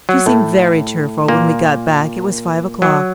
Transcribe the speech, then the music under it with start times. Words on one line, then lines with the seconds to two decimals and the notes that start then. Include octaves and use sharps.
She seemed very cheerful; when we got back it was five o'clock.
0.09 F#3
0.26 A2 A3
1.28 A#2 A#3
2.82 F#3